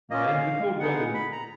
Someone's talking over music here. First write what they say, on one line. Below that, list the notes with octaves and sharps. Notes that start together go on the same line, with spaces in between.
Yeah, and the cold weather
A#3 C#4 F4 D#5
F5
B3 D#4 G#4 F#5
B5
A#5